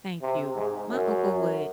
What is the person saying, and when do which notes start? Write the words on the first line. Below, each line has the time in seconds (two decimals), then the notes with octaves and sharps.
Thank you. My uncle would
0.22 C3
0.56 G#2
0.90 F#2